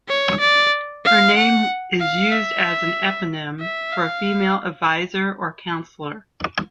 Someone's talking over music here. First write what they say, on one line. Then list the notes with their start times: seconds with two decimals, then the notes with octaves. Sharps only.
Her name is used as an eponym for a female advisor or counselor.
0.09 C#5
0.40 D5
1.04 F5
1.37 F#5
2.00 F5
2.32 E5
3.61 E5
3.93 F5